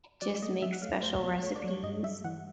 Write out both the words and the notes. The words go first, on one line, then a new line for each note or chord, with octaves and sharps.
just make special recipes,
F#3 D5
A3 D#5
F#3 E5
F#5
A3 F5
A3 C5
B2
A3 C#5
D5
F#3 C#5
G2 D#5
G3 E5
E3 F#5